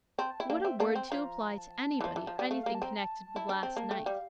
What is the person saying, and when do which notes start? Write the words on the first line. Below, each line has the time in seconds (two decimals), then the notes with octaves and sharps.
"What a word to apply to anybody or anything connected with last night!"
0.18 C4 A5
0.30 A5
0.40 E4 G5
0.50 A#3 D4 F5
0.65 C4 E5
0.80 A#3 D4 F5
0.95 C4 G5
1.11 F3 A#5
1.58 A5
2.01 E3
2.04 F3
2.16 E3
2.27 F3
2.39 G3
2.51 A3 F5
2.63 A#3 F5
2.75 A5
2.82 C4 A#5
2.97 A5
3.36 E4
3.49 D4
3.63 C4
3.77 A#3
3.91 A3 G5
4.06 G3 F5